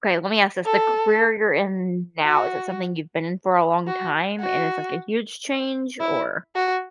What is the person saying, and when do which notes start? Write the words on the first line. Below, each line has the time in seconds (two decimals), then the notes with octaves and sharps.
okay, let me ask this, the career you're in now, is it something you've been in for a long time and it's, like, a huge change? Or
0.65 A4
2.26 F#4
3.87 F#4
4.40 F#4
6.00 E4
6.55 F#4